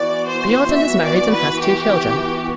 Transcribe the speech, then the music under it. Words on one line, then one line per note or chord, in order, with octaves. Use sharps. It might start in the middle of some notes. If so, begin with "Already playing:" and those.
Riordan is married and has two children.
Already playing: E3 B3 F#4 D5
C5
E5
D5
B4
G4